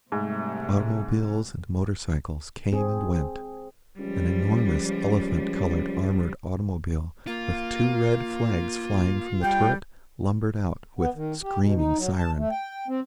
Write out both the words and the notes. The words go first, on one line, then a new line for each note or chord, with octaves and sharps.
Automobiles and motorcycles came and went; an enormous elephant-coloured armoured automobile, with two red flags flying from the turret, lumbered out with screaming siren.
G#2 C3 G3 A3
C4 G#4
C#2 F3 G3
A#3 F4
G3 G5
B3
D#3
G4
B2
D#4
F#3
A5
A3
G5
C4